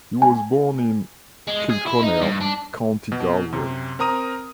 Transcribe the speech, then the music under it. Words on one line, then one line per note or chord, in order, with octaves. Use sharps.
He was born in Kilconnell, County Galway.
G#5
G#3
G#4
E4
D#4
G2
D4
B2
F#2 C3
C4 A#4 A#5 D#6 D#7